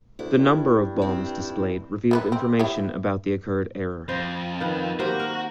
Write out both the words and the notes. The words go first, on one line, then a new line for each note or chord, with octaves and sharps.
The number of bombs displayed revealed information about the occurred error.
D2 E4
G2
C4 E4
D#3 E4 B4
C4
E4 G4 C#5
F2 C5
D#3 B3
A#3 C4 F#4 G4
A#4